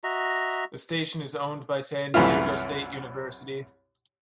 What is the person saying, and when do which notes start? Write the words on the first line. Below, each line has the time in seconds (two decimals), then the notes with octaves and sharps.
The station is owned by San Diego State University.
0.04 F#4 D#5 E5 A#5
2.14 C2 F#2 E3 A3 E4 F4